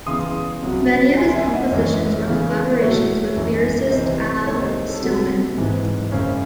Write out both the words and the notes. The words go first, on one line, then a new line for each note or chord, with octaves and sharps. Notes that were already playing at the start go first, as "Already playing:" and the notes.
Many of his compositions were collaborations with lyricist Al Stillman.
E2 C#3 E3 C6 D#6
C2 C3 F#3
C2 C3 D#3 G#5 C6
E5 G#5
D#5 F#5
F#2 E3 G#3 C#5 E5
E2 C#3 E3
A2 F#3 A3 C#5 E5
F#2 E3 G#3
C2 C3 E3 C5 D#5
C2 C3 D#3 G#3 A4 C#5
C5 D#5
C5
A4
C2 C3 F#3 C4
G#2 E3 C4
F#2 C#3 G#3 C#4 C5